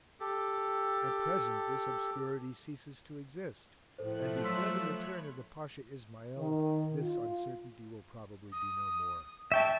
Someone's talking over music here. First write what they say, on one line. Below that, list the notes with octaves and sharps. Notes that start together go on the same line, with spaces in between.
At present this obscurity ceases to exist, and before the return of the Pasha Ismael this uncertainty will probably be no more.
G4 A4
A2 F3 A3 A4 C5 F#6
F#3 C6 E6 B6
C#5 B5
D#3
F4
D#6
E5 G5 A5 C#6